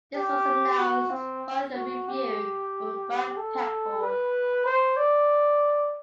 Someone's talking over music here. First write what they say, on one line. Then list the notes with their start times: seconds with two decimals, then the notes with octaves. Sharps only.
This was announced following a review from Brian Peckford.
0.15 G4
0.79 F#4
1.11 C4
1.75 F#4
2.08 G4
3.37 A4
4.02 B4
4.65 C5
4.97 D5